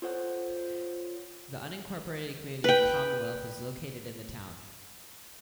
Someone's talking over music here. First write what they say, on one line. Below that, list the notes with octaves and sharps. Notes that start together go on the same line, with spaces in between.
The unincorporated community of Commonwealth is located in the town.
F4 A4 C5 C#5 F#5
B4 G5